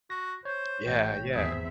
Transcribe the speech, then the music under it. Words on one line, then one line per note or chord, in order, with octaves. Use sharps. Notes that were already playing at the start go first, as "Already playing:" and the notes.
Yeah, yeah.
F#4 A#6
C5 C#5
A1 G5
G#1 E2 C4 G#4 E5